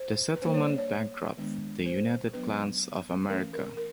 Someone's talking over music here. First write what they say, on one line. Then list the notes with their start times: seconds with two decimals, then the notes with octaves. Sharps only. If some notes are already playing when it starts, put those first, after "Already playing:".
The settlement bankrupted the United Klans of America.
Already playing: C5
0.36 B4
0.42 G3 A#3 D4 C5
0.54 C#5
0.66 D5
0.78 C#5
1.37 D#3 G#3 B3 D4
1.86 C5
2.33 F#3 B3 D4 B4
3.29 E3 A3 C#4 A#4
3.53 A#4
3.77 A#4